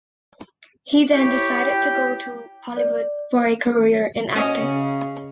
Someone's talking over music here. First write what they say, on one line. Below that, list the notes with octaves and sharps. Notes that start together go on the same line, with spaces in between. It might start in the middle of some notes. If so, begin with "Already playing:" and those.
He then decided to go to Hollywood for a career in acting.
E4 G4 C#5
G5
D5
C#4 F#4 G#4 D#5
C#3